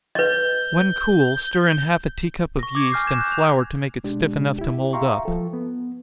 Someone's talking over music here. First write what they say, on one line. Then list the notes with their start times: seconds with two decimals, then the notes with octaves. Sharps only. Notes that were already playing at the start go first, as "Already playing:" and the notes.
When cool, stir in half a tea-cup of yeast, and flour to make it stiff enough to mould up.
0.15 B4 D#5 G6
2.59 C#6 A#6
2.75 D6 G#6
2.92 G#5 F6 G6 C7
3.05 C#6 F6 G#6 E7
3.18 F#6 G6
3.32 E7 F7
4.04 B2 G#3 D4 G4
4.58 E4 G4
4.93 E5 F5 G5 A#5 C6 C#6
5.25 F3 A4
5.53 B3